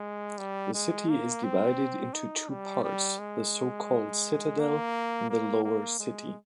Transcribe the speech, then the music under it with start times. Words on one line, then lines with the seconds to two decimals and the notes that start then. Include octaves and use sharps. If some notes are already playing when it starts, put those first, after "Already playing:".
The city is divided into two parts, the so-called Citadel and the Lower City.
Already playing: G#3
0.38 G3
0.74 G#3
1.09 A#3
1.44 C4
2.13 D#4
2.49 G3
2.84 G3
3.19 G#3
4.59 A#3
5.29 A#3
5.64 A#3
5.99 G#3